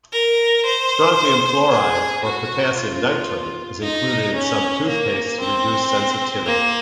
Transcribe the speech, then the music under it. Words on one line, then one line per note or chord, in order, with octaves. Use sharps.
Strontium chloride or potassium nitrate is included in some toothpastes to reduce sensitivity.
A#4
C5
G#4
F#4
F4
D#4
C#4
A#3
C4
A#3